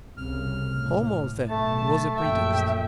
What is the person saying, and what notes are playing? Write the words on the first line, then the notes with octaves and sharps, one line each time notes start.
Homo, then, was a pretext.
C2 C#3 F6
A2
B1 A3 A5
A#1 F#2 E5 G5